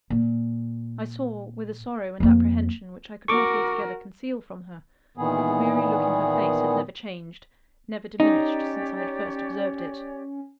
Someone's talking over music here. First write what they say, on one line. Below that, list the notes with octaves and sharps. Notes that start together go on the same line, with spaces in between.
I saw, with a sorrow and apprehension which I could not altogether conceal from her, that the weary look in her face had never changed, never diminished since I had first observed it.
A#2
F2 A#3
F#4 A#4 C#6 D6
A#2 D#3 E3 B3 G#4
C#4 D#4 G4 C#5 D5